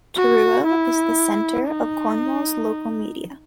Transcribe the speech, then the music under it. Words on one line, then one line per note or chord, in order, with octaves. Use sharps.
Truro is the centre of Cornwall's local media.
F#4
E4
D#4